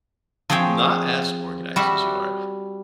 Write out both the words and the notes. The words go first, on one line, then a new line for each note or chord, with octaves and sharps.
not as organized as you are,
F3 C4 G#4 C#5 G5
G3 F#4 E5 B5